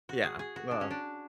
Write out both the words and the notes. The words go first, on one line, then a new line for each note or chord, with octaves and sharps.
Yeah, well
F#4
G#4
G#4
F#4
D4
C#4
D4